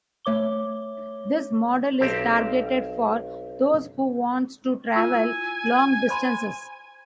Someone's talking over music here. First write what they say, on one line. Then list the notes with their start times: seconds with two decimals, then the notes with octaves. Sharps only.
This model is targeted for those who wants to travel long distances.
0.25 A3 C#5 D6 G7
2.00 B1 C4 G4 A#4 A5
4.95 E4 F4 G#5 E6
6.09 C5 B5 C6